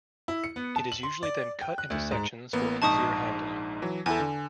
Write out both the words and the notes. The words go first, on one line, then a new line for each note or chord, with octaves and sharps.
It is usually then cut into sections for easier handling.
E4
C#7
B3
A5
F#7
C6
D5
G5
F#6
D2
G#2
A1 A#3 B3
A#1 G#2 D#4 A5 C#6 D#6
E3 F#3
E2 E4 A4 G#5
D3